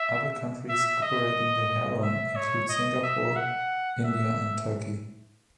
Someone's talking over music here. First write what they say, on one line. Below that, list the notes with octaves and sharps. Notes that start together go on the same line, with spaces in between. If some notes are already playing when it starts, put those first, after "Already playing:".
Other countries operating the Heron include Singapore, India and Turkey.
Already playing: E5
E5
D#5
E5
C#5
D#5
E5
F#5
E5